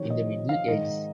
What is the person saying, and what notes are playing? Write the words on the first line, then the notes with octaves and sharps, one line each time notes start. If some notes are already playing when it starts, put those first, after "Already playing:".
In the Middle Ages.
Already playing: F2 C3 D#3 C#5
D#5
F5
G#2 D#3 D#5